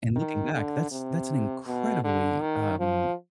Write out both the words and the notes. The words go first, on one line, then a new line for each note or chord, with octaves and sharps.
And looking back, that's that's an incredibly, um,
D#3
D3
C3
B2
D3
D#3
F3